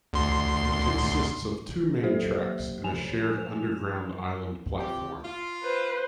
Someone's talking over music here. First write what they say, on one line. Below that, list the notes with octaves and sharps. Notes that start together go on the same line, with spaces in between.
It consists of two main tracks and a shared underground island platform.
D2 C6
F#3 A#3 G4 A4 C5 E5
F3 G#5 E7 F7
C3 F4 G4
F4
B4 C5